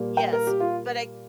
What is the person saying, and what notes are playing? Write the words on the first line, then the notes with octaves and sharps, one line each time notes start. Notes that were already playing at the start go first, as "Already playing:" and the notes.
Yes, but I
Already playing: A#2 G3 A#3
G5
A#4
G4
F4